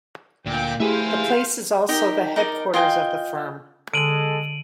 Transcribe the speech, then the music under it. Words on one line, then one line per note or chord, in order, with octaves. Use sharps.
The place is also the headquarters of the firm.
D2 A#2 G5 D6
A3 E4 G4 G#4 C5 E5 F5 G#5
D#4 G4 A#4 G5
D#4 A#4 D5
F4 D#5 G5 G#5
D3 G#3 A4 D7 D#7 F#7